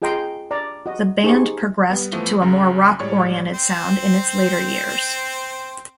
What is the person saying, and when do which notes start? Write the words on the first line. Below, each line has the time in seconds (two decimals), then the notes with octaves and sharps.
The band progressed to a more rock-oriented sound in its later years.
0.02 F4 G#4 D#5 G5 A#5 C6
0.51 D5 A#5
0.86 F#4 D#5
1.24 D#4 G4 G#4 C5 C#6
1.90 G3 B3
2.12 E3 F3 A3 B3
2.42 F#2 C#3 A#5
3.00 A2 G3 G#3 C#5 D5
3.54 C4 C5